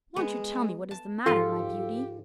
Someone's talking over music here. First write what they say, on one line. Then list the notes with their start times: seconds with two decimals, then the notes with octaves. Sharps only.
Won't you tell me what is the matter, my beauty?
0.16 G#3 B3
0.91 A5
1.26 G#2 F3 F4 G4 A4 C6